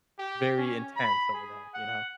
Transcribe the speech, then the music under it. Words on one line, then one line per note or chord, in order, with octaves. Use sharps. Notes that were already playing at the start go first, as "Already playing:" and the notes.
very intense over there, you know?
G4
C#4
B5
G#4
F#5